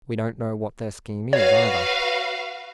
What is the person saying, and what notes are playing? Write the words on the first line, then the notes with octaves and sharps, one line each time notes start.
We don't know what their scheme is either.
F#4 B4 C#5 F5